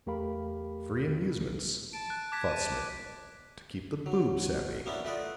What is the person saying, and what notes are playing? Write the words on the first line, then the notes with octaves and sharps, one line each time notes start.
"Free amusements," thought Smith, "to keep the boobs happy."
E2 A3 G4 A#4 F5 B5
A5 D7
F#6
A5 D6 G#6 B6
D#7
F#3
A#3 B3 C#4 D4 E4
A3 F4 B4 D5 D#5 F#5